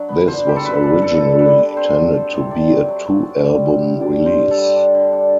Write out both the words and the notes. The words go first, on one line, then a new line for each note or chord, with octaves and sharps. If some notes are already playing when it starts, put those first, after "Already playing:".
This was originally intended to be a two album release.
Already playing: F#3 D4
B3
D4 C5
G3 G4
A4
F#2 B4
D4
D3 A4
D3
G3 B4
D4
C4 C5
F#3
C4
C3
C3 D5
F#3
F#3
F#3
G2
G3
G2
G2
D3 D5
G2
C5
G2
A4
G3
D4
D3
D4